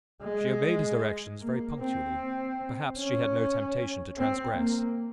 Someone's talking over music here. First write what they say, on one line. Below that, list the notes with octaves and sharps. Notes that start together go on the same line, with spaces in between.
She obeyed his directions very punctually: perhaps she had no temptation to transgress.
G#3
A#3
C4
C#4
C4
A#3